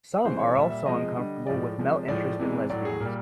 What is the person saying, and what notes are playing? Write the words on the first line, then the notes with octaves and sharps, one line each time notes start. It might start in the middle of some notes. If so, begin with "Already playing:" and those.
Some are also uncomfortable with male interest in lesbians.
C3 E3 G#3 C5
C#5
A#2 G3 E5
E5
C3 F3 G#3 D#5
D3 G3
A2 F3 G#3 D5
C3 F3 G#3
A2 F3 G#3 D5
C3 E3 G#3
A2 F#3 D5
G#4
A#2 G3 A#4